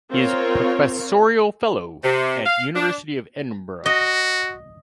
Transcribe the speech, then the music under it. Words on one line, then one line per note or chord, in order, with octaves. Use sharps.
He is professorial fellow at University of Edinburgh.
C4 F4 A#4 C#5
C3
F5
D4
F#4 D#5